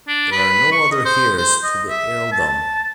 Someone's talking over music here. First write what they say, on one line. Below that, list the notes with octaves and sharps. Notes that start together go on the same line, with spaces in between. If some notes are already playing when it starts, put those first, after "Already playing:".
There are no other heirs to the earldom.
D4
B4
C#6
D#5
C5
C5
D#5
E5
A5